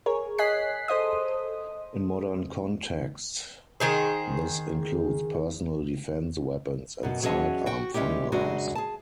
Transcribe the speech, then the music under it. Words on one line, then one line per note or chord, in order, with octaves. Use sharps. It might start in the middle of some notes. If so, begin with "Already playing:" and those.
In modern contexts, this includes personal defense weapons and side arm firearms.
G#4 A#4 C#5
D#5 G#5 F#6 B6 C7
A4 C5 D#5 D#6
D#3 G#4 C5
F#2 B2
E2 F#3 C#4 G#4 D#5 A5
F#4 G5
G3 G#3 C#4 E4 G4
F#2 C#3 G#3 D4 F#4
G#4 A5